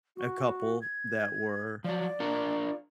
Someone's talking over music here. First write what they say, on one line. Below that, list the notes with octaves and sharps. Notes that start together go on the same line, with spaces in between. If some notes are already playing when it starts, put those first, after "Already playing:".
a couple that were
F#4
G#6
F3 F#3 D5
D4 F4 A#4